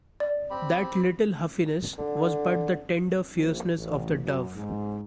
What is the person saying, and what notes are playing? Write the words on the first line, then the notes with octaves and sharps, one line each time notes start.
That little huffiness was but the tender fierceness of the dove.
D5
C4 G4 B5
D3
A#1
A1
F#2
G#2